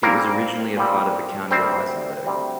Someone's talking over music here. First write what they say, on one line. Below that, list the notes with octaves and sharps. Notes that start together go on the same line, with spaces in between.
It was originally a part of the County of Isenburg.
A#2 G3 A#3 C4 A#4
A#2 G3 C4
D2 C3 G3 C4 C5
D2 C3 G3 C4